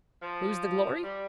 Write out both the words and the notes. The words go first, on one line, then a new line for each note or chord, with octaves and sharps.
Whose the glory?
F3
G3